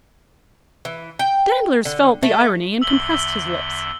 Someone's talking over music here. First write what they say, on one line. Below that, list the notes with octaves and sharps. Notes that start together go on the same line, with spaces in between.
Danglars felt the irony and compressed his lips.
E3
G5
D3
A3
E2 D3 E5 E6 F#7 G7